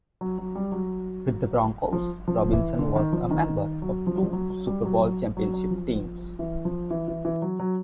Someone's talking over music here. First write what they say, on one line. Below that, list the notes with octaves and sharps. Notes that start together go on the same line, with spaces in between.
With the Broncos, Robinson was a member of two Super Bowl championship teams.
F#3
F#3
G3
F#3
F3
F3
E3
D3
D#3
F3
D#3
F#3
F3
F#3
F3
F#3
F#3
G3
F#3
F#3
F#3
F#3
F3
E3
F3
E3
E3
E3
F#3
F#3